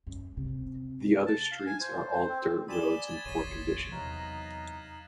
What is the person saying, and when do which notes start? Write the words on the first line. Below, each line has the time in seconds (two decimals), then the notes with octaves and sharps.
The other streets are all dirt roads in poor condition.
0.07 F#2
0.37 C3
1.26 A5
1.51 F5
1.66 G#5
1.81 C5
2.13 C5
2.29 C4
2.68 D5 G#5 B5 D#6 E7 G7
3.08 G#6 A6
3.25 F1 A#1 D#2 C#5 C6 B6 D#7
3.92 E2 C3 F#3 D#4 F5 A#5 F#6